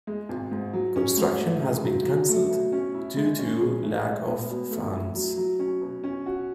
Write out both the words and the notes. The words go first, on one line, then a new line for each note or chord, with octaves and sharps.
Construction has been cancelled due to lack of funds.
G#3
G#1
G#2
F#3
C#4
G#2
A3
C#3
F#3
F#3
A3
B2
C#4
E4
G#3
C#4
G#4
A3
G#3
B3
B2
A3
E4
F#3
F#3
C#4
B2
C#4
F#4